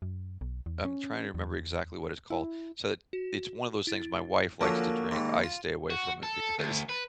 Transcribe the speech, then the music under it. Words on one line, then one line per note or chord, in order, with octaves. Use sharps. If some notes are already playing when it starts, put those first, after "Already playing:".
I'm trying to remember exactly what it's called. So it it's one of those things my wife likes to drink. I stay away from it because,
F#2
B1
E2
C#4
E2
E4
F#4
E4 A6
D3 F3 F#3 A#3 C#4 F4 A5
D#2 G#2 B5 C6
F4
F#4
A4
D2
B4